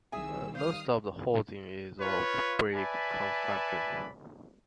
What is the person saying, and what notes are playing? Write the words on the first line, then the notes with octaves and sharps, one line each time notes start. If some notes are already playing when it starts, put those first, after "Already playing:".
Most of the housing is of brick construction.
C2 D#3 G3 G#4 E5 G#5 E6
C5 F5 D#6 F6
F4 B4 C#5
B4 D5 E5 G#5 A5 B5